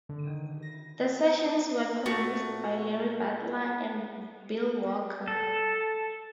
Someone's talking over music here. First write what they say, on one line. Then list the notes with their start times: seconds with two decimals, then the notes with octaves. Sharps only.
The sessions were produced by Larry Butler and Bill Walker.
0.09 D3
0.27 D#3
0.62 A#6
2.06 A#2 A3 F#4
5.28 A4